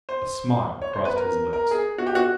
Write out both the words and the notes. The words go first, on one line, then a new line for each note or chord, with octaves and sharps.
A smile crossed his lips.
C5
C#5
C5
B4
A#4
A#4
G#4
F#4
G4
F#4